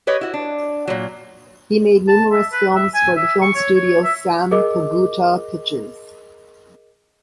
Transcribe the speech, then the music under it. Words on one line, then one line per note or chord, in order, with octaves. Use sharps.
He made numerous films for the film studio Sampaguita Pictures.
G4 B4 C#5 D#5
E4 F#4
D4
A#2 F#3
A5
E5
B4
E5
G#5
E5
C#6
C#5
C#5
E5
G#4 A#4 D#5 D6